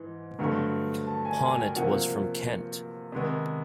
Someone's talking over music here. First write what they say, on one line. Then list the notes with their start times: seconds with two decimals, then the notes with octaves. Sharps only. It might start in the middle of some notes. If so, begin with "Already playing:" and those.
Ponet was from Kent.
Already playing: G#2 E3
0.39 G2 D3 F#3 A3 A#5
1.07 A5
1.25 G#5
1.41 G#5
1.59 G5
1.75 C3 F3 A#3 F#5
3.12 C3 D#3 G#3 B3